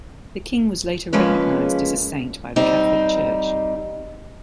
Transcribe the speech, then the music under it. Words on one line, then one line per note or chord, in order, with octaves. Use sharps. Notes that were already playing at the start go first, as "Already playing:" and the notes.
The king was later recognized as a saint by the Catholic Church.
C#3 F3 G#3 A#3 C#4 B4
G3 C4 D#4